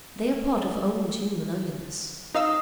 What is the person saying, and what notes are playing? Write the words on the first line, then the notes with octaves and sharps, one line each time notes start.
They are part of old human ugliness.
D#4 D#5 F5 E6